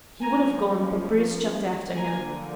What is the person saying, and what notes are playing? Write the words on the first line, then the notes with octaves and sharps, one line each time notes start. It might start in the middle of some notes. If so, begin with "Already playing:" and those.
He would have gone, but Bruce jumped after him.
F3 A#3 C#4 G#5 A#5
D3 F3 A#3 G#5 A#5